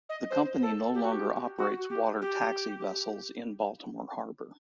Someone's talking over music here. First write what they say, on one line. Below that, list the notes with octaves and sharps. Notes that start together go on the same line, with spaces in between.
The company no longer operates water taxi vessels in Baltimore harbor.
D#5
C5
A4
G4
F#4
G4
F#4
G4
G4